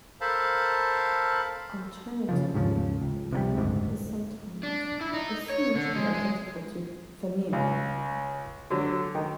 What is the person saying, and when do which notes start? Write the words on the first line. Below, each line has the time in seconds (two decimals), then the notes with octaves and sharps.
Alternatively, Garmr is sometimes assumed to be identical to Fenrir.
0.21 A4 A#4 C5 F5 A5 B5
2.29 C#3 E3 F3
2.54 D#2 G#2 C#3 F3
3.01 C#2
3.32 C3 D#3 G3
3.57 F#1 D2 G#2
4.63 D4
5.01 E4
5.14 D#4
5.50 C#5
5.75 D3
5.95 G#3
6.14 G#3
7.53 C#2
8.70 D3 F#3
9.15 D#3